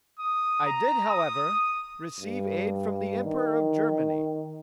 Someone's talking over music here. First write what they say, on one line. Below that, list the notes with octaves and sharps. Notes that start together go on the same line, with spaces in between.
I did, however, receive aid from the Emperor of Germany.
D#6
A#5
D#6
G2
D#3